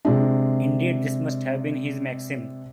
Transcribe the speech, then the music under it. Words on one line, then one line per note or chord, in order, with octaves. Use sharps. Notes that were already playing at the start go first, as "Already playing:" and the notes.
Indeed this must have been his maxim.
C3 G#3 D4